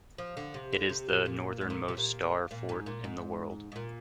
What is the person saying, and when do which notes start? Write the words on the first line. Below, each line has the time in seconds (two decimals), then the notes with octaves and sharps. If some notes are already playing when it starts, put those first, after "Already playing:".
It is the northernmost star fort in the world.
0.18 F3
0.37 D3
0.54 C3
0.73 D3
0.89 C3
1.08 A#2
1.26 A#2
1.61 G#2
1.70 A#2
1.88 C3
1.97 A#2
2.51 A#2
2.69 G#2
2.86 A#2
3.04 G#2
3.72 G#2
3.76 A#2